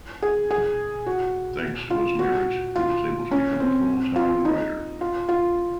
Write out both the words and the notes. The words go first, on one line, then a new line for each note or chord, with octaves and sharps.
Thanks to his marriage, he was able to become a full-time writer.
G#4
G#4
F#4
F4
F#4
F4
C#4
C4
F4
D#4
F4
F4